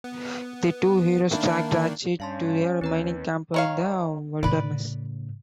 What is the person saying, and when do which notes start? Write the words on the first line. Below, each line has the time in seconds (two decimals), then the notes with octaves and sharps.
The two heroes track Drache to a mining camp in the wilderness.
0.04 B3
1.31 D#3 A#3 D4 E5 A5 B5
2.20 G2 C#4 F5 A5 C6
2.81 D#2 C4 B4 A#5
3.54 D#3 C#5 F5
4.43 A2 C#3 B4 D5